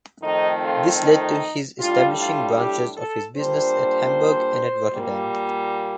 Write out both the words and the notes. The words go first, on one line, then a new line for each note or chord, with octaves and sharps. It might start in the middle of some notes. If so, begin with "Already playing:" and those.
This led to his establishing branches of his business at Hamburg and at Rotterdam.
F2 D#3 A3 C4 D#4
F4
D#4
A2 G3 D4 F4
F4
G4
A4
A#2 G3 A#3 D4 C5
A#2 G3 A#3